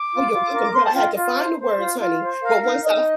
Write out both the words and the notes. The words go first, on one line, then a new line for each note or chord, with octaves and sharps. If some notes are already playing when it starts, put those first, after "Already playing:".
Oh, you're welcome, girl, I had to find the words, honey, but once I
Already playing: D6
F4
F4
A#4
C5 C6
A5
F4 G5
D#5
F4
C5
C5
F4
F4
C5
A#4 F5
D#4 F5
D#4 D#5